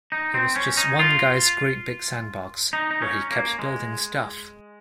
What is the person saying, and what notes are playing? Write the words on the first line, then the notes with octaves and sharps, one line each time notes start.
It was just one guy's great big sandbox, where he kept building stuff.
D#4
C4
C#4
D#4
F4
D#4
D#4
C#4
A#3
G#3